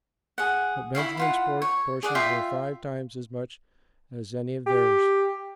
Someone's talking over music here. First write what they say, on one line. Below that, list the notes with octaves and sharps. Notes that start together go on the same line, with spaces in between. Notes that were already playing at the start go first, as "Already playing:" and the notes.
But Benjamin's portions were five times as much as any of theirs.
G#4 F#5
E4 F#4 E5 F5
E4 F4 F#5
C#5
G#4 D5 F#5
F4 E5 F5 G5
G4